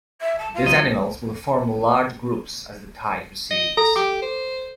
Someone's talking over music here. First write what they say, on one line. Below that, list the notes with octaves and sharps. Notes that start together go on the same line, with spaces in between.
These animals will form large groups as the tide recedes.
E5
A5
F4
D2 F#3 D#5
D#5
A4 A#5
G4 D6
C5